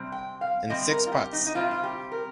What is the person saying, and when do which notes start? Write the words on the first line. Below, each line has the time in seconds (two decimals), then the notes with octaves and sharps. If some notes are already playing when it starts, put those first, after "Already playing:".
In Six Parts.
Already playing: C3 G3 C4
0.12 G5
0.41 F5
0.70 C3 G3 C4 D#5
0.91 A#4
1.07 F4
1.12 G4
1.33 D#4
1.46 D#4
1.55 C3 G3 C4 F4
1.71 F4
1.83 G4
2.12 A#4